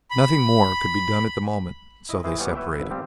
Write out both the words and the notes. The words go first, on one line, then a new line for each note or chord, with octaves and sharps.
Nothing more could be done at the moment, so they separated.
B5
E4 D#5
E3 G#4 C5 G5
G3 B3 G4 B4 C#5 G#5
B4 E5 G5
G#1 B4
F3 G3 C4 G4